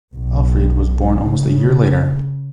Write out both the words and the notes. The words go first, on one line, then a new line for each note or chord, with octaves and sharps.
Alfried was born almost a year later.
B1
C#3